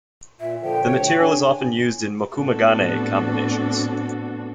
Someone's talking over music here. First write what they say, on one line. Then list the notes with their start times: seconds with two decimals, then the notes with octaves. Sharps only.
The material is often used in mokume-gane combinations.
0.40 A#2 E5
0.63 A#2 D3 F3 G5
0.83 D2 C#5
1.19 D3 D4 G#5
2.36 A2 B3 C4 D4 F#4 A4